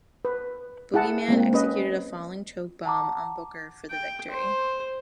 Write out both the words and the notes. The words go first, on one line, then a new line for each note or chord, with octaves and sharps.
Boogeyman executed a Falling Chokebomb on Booker for the victory.
B4
E4 G#4 F#5 A5
G#3 A#3 C4
C#4 B4 D#5
F#5 A5 A#5 D6
G5
C5